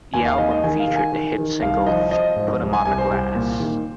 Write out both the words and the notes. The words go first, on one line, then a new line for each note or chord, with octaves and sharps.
The album featured the hit single Put 'Em On The Glass.
D#2 G#5
F5
D#3 D#5
D#5
D#3 G#5
F5
D#3
G#5
D#3
D#3
C2 F5
F3 D#5
F3 D#5
G#2
C2
G#5
C2 G#5
C5
C2
A#2
D#3